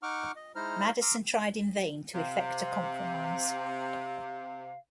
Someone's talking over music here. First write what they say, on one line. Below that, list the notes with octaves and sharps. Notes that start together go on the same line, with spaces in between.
Madison tried in vain to effect a compromise.
D#4 F#5 C#6 D6 F6
D#5
G#3 D#4 E4 C5 A#5 F6
A#5 C6 D6 E6 F6
C3 F5